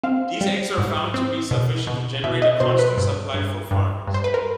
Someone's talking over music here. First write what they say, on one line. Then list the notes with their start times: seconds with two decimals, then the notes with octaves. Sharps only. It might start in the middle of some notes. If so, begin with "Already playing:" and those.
These eggs were found to be sufficient to generate a constant supply for farms.
0.04 C4 F5
0.41 G3
0.78 G#2
1.14 C4
1.51 B2
1.87 B2
2.24 B2 E5
2.42 D#5
2.60 B2 C5
2.79 B4
2.98 G2
3.34 G2
3.71 G2
4.07 G2
4.14 C5
4.24 B4
4.34 A#4